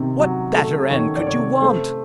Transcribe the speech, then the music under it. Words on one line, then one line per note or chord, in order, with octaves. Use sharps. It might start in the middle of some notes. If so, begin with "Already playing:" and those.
What better end could you want?
Already playing: C3 D#3
F#3
A3
D#3 C#5
D5
C3 C#5
A3 C5